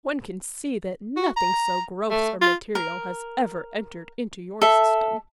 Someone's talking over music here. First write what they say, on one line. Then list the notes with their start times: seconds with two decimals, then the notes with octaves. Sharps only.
"One can see that nothing so gross or material has ever entered into your system."
1.17 F#4
1.37 A#5
2.10 A3
2.41 F4
2.75 A#4
4.62 A4 E5